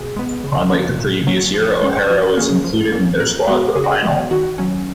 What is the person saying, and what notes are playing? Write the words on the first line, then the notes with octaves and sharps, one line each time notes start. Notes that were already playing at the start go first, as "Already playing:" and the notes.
Unlike the previous year, O'Hara was included in their squad for the final.
Already playing: B2 G#4
G#3 B3
C#3
F3 A#3 C#4
A#2
F#3 A#3 C#4
F3
G#3 C#4
F3 F#4
A#3 C#4 G#4
F3
A#3 C#4
A#2 A#4
G#3 B3 F#4
C#3 G#4
F#4
G#4
G#3 B3
D#3 F#4
F#3 C#4